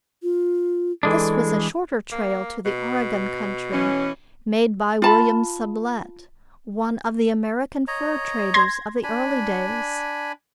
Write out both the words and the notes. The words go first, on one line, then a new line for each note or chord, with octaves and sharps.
This was a shorter trail to the Oregon Country, made by William Sublette, one of the American fur traders of the early days.
F4
E3 G#3 D4 A4
A#3
B2
E3 C#4
F4 A5 B5
C#5 D#5 A#5
C6 G#6 A#6
D4 G#5 B5